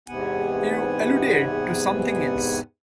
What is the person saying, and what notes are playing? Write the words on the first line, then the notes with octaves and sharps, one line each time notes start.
You alluded to something else.
E2 G#2 C3 B3 F#5 G#5